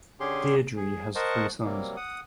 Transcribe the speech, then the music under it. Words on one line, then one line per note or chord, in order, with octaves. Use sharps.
Deirdre has three sons.
D3 C#4 G4 G#4 C6
G#4
A#4 C5 D#5 F#5 A5 C#6
C3 F#3 G3 A#3
F#5 D#6